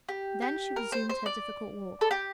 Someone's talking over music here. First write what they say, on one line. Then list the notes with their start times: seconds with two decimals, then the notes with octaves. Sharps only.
Then she resumed her difficult walk.
0.08 G4
0.42 G4
0.76 A#4
0.92 C5
1.09 C5
1.26 D5
2.01 A4
2.11 G4